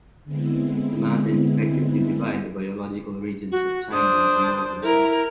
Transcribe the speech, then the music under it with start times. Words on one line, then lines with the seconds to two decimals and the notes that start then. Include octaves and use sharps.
The mountains effectively divide the biological regions of China into north and south.
0.24 D3 G#3 B3 C4 E4
3.51 F#4
3.92 D4 C5 D#6
4.83 E4 A#4